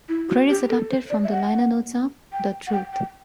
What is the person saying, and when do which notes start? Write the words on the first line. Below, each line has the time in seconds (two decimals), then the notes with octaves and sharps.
Credits adapted from the liner notes of "The Truth".
0.08 E4
0.29 F#4
0.49 G4
0.69 A4
0.90 C5
1.10 D5
1.24 E5
1.31 F#5
2.32 G5
2.67 F#5
2.72 G5
2.93 G5